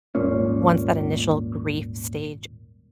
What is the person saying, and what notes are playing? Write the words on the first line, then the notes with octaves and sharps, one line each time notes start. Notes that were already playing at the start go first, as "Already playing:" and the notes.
O once that initial grief stage
D#1 G#1 A#2 C#4